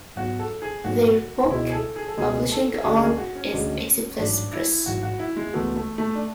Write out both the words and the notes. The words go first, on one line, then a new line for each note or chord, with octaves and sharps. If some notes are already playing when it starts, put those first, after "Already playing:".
Their book-publishing arm is Eclipse Press.
G#2 F#3 B3 F#4
A4
G#4
G#2 F#3 B3 F#4
C#2 B2 G#3 E4
G#4
A4
G#4
A4
C#2 B2 G#3 G#4
A4
G#4
D2 C#3 G#3 D4 F#4 A4
G#4
F#4
C#4
D2 C#3 G#3 D4 F#4
A1 G#2 F#3 D4
E4
A1 G#2 F#3 F#4
F#4
E4
G#3
C#2 C#3 E3 A3 B3 F#4
A3
A3
D4